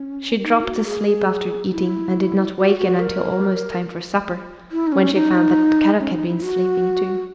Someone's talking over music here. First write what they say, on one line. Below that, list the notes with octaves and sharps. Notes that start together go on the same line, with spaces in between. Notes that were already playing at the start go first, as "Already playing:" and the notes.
She dropped asleep after eating and did not waken until almost time for supper, when she found that Kadok had been sleeping too.
Already playing: C#4
D#4
F#4
G#4
E4
F#4
F#4
A#4
E4
D#4
C#4
D#4
C#4
D#4
E4
F#4